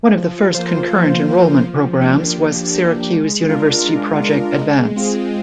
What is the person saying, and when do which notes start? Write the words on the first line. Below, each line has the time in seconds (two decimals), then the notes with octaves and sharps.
One of the first concurrent enrollment programs was Syracuse University Project Advance.
0.17 F3
0.55 A#3 F4 C5
0.90 F3
1.28 A#3 F4 C5
1.64 F3
2.01 A#3 D4 G4
2.37 F3
2.74 A#3 D4 G4
3.12 G#3
3.49 D4 F4 A#4
3.85 G#3
4.22 D4 F4 A#4
4.59 G#3
4.96 C4 F4 G#4